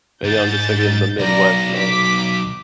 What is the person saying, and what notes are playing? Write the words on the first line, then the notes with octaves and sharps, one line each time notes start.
maybe I'm just thinking of the Midwest North,
G#2 G6 A6
B1 A#4 D5 A#6
D6 B6